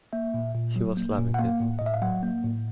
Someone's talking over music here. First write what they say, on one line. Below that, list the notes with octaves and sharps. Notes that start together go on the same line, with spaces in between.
He was loving it!
A#3 E5
A#2
A#2
F#3
A#3
A#2
F#5
A#3 F5
A2
A2 D#5
E5
F5
F#3 F#5
A#3
A2